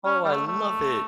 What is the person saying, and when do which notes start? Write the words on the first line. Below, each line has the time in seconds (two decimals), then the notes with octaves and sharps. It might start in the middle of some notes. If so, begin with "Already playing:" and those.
Oh, I love it.
0.06 C#4
0.24 G3
0.33 A3
0.47 A3